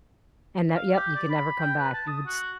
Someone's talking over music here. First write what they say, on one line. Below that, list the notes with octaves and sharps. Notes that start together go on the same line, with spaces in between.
And that yep, you can never come back. You would s
F5
G4
D5
B5
G5
B4
A5
D#6
F#4